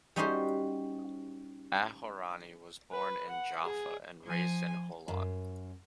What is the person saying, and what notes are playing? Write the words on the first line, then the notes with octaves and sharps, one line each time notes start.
Aharoni was born in Jaffa and raised in Holon.
G3 C#4 D#4 F#4 G4 C5
B4
F#5
G#4
F3 G#5
F#2